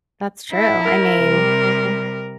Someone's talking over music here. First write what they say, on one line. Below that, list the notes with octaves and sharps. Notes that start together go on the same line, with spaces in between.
That's true. I mean, yeah.
E4
A#4
C3 G3